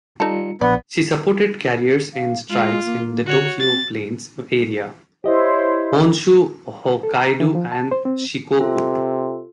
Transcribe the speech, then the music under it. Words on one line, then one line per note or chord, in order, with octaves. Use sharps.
She supported carriers in strikes in the Tokyo Plains area, Honshu, Hokkaido, and Shikoku.
G3 D#4 F4 A4 C#7
A#1 B3 D5 F#5
F5
G#3 F4
A#3
D3 F#4 C#5
C4 A6
E4 G4 C5 C#5 D#5 E5
A4
A#5
E3
F3
A5
C5
C4
C3 F4 A4